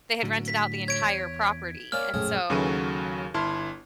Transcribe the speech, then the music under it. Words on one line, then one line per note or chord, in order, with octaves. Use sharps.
They had rented out the entire property, and so
A2 D3 F#3
B6
C#5 G#6 D7
E2
A#3 C#4 D5 F6
A#1 F#2 A2 G#4
D#2 C#3 F#3 F#4 A4 D#7
G1 E4 A5 C6 F6